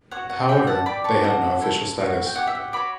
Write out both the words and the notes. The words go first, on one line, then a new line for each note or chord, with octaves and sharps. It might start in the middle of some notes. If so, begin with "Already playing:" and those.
However, they have no official status.
F#4 C#5 F#5
F#5
F#4 A4 D5 E5 G5
F#5 A5
G4 D5 B5 D6
A5 C#6
F#4 A4 D5 F#5
E4 A4 C#5
F#4 C#5
G5
G4 C#5 F#5
E5
F#5
F#4 C#5 B5 D6